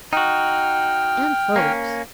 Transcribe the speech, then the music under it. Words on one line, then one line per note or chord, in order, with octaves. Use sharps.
And folks.
D#4 F#4 G5 F6
A#3 C#4